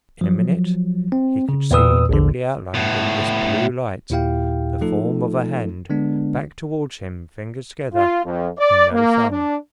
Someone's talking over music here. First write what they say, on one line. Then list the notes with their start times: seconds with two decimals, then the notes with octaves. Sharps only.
In a minute, he could see, dimly outlined in this blue light, the form of a hand, back toward him, fingers together, and no thumb.
0.21 F3 F#3
1.12 C4
1.49 C#3
1.71 E2 A#2 B4 D#6 E6
2.09 A#1 E2 D3
2.75 A2 B3
4.10 D#2 A#2 E4 G4 F5 G5
4.81 F3 A3 D#4 F4 A4
5.90 D3 G#3 B3 D4
7.94 F4
8.25 F2
8.59 D5
8.92 A#3
9.31 D4